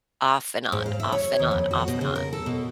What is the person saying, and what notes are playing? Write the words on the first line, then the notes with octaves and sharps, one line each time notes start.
Off and on, off and on, off and on,
G#2
F5
E5
C#5
D#2
F2
F#4
B2
C#3
A#4
A4
B2